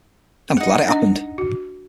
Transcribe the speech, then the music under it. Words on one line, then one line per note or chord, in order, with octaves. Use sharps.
I'm glad it happened.
D#4 F#5
D4 D#5
F#4